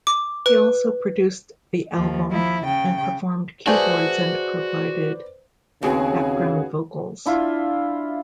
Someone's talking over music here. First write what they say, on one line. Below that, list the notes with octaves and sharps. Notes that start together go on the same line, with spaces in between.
He also produced the album and performed keyboards and provided background vocals.
D6
B4
D#2 F3
F3 E4
C#3 G5
A3 F#4 G#4 B4 C5 D5 G5
D#2 C#3 B3 C4 F#4 G#4
D4 E4 F4